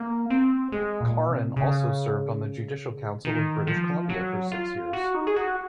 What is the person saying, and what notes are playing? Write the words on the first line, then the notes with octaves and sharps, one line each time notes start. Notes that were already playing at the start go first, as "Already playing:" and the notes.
Karin also served on the Judicial Council of British Columbia for six years.
Already playing: A#3
C4
G#3
A#2
C3
C#3
D#3
F3
F#3
F4
F#4
D#4
G#4
F#4